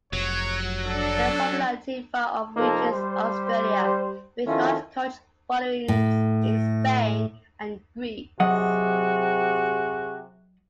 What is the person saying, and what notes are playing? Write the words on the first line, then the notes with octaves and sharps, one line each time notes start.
Their popularity far outreaches Australia, with large cult followings in Spain and Greece.
F1 F#3 C#5
D4 A4
C3 F3 A#3 D#4 A4
G3 C5
D#3 F3 C#4 E4 F4 A4
A2
C3 F#3 F#4 G#4 D#5 F#5